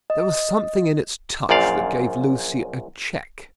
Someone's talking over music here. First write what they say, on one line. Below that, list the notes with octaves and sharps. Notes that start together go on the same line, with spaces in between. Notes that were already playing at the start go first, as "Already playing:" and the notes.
There was something in its touch that gave Lucie a check.
D#5
A#1 F#2 A#2 D5 F5